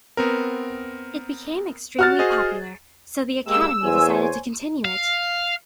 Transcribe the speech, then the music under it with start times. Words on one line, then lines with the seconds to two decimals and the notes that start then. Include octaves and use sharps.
It became extremely popular, so the Academy decided to continue it.
0.17 B3 C4 A#4
1.99 F#4 F6 A6
2.19 G#4 C5 D#5
3.46 G#3 A#3 G4 E6
3.84 E2 C5 C#5 G#5
4.85 F5